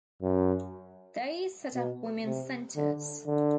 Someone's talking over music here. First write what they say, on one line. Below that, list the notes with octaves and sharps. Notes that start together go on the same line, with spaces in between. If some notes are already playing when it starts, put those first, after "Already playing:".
They set up women's centres.
F#2
B2
C3
D3
D3